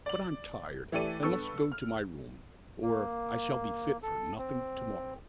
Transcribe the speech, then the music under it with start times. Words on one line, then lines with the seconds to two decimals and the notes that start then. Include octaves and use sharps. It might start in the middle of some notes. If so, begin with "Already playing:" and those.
"But I'm tired, and must go to my room, or I shall be fit for nothing to-morrow."
0.06 D5 F#7
0.92 E3 A3 G4 A4 D5 D#7
1.23 G2 B3 A4 C#6 E6
1.72 F6
2.82 A#3
4.03 A4
4.38 C4